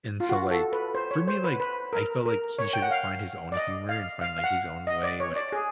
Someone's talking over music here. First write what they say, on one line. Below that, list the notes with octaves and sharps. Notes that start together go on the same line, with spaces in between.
and so, like, for me, like, I felt like he should find his own humor and find, like, his own way when it comes to telling
F4
F#4
A4
B4
C5
C#5
C5
B4
B4
A#4
A#4
C#5
G5
F#5
F5
D5
D#5
F5
F5
F5
F#5
D#5
D5
C#5
D5
G#4